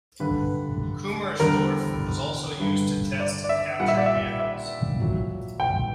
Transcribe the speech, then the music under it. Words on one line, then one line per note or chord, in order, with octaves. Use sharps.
Kummersdorf was also used to test captured vehicles.
G2 D3 G3 B4
E2 D3 G3 A#4
G2 D3 G3 B4
D5
D5
E5
A#2 G3 F#5
E5
D5
E5
E5
A#2 F#3
G5